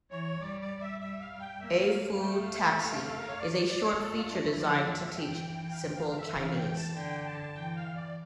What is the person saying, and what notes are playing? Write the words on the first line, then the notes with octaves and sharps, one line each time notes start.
A-Fu taxi is a short feature designed to teach simple Chinese.
E3 C#5
G3 D5
D5
E5
G3 E5
F5
G5
A#3 E5
F5
F5
F5
A3 G5
F5
E5
F5
A4
A#4
C#5
D5
D5
D5
C#5
A3 A4
F4
D4
E4
F3 D5
E5
F5
E3 G5
F5
G5
F5
F5
E5
E3 F5
G5
A5
D3 G5
A5
E3 G5
F5
D5